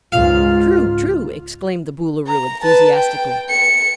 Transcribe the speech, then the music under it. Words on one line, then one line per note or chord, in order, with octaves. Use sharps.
"True--true!" exclaimed the Boolooroo, enthusiastically.
C#2 G#2 F4 F5
A#5
B4 A5
G5
C#7